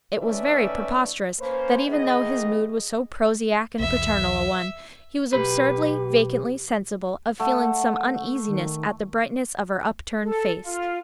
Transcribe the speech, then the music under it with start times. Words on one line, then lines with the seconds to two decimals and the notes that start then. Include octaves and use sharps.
It was very preposterous, that even though his mood was so prosaic and paternal a one, he was absurdly, vacantly sensible of feeling some uneasiness at the brightness of her upturned face.
0.19 D#3 A3 C#4 B4 D5 E5
1.40 A#3 C#4 B4 C5
1.87 D#3 E3 B3 G#4 D#5
3.80 B1 E2 E5
5.33 B1 G4 B4
7.40 A3 F#5
8.47 D#3
10.24 A4
10.63 F4